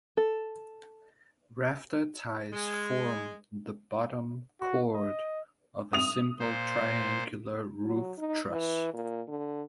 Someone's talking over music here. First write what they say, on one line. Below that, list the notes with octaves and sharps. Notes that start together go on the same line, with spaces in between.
Rafter ties form the bottom chord of a simple triangular roof truss.
A4
G#3
F#4
D#5
D#6 F7
A#2 C5
F#3
D#4
E3
A#2
D3